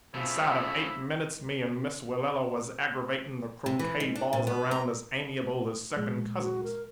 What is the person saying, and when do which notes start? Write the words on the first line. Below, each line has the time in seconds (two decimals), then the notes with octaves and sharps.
Inside of eight minutes me and Miss Willella was aggravating the croquet balls around as amiable as second cousins.
0.14 C#3 F3 A3 E4
3.66 C3
3.79 E3
4.00 G#2
4.15 D4
4.33 A#2
4.47 B3
4.71 A#5
5.97 A#2 F3 G#3
6.38 F#4
6.64 A#4